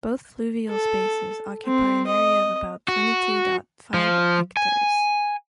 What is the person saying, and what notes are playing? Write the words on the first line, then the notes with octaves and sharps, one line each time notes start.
Both fluvial spaces occupy an area of about twenty-two dot five hectares.
A4
C4
D#5
F#4
F3
G#5